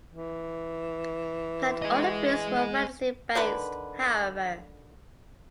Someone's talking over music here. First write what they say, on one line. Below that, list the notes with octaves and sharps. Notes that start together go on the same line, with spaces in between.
Not all the films were fantasy-based, however.
E3
G#4 D#5
D3 D#3 B4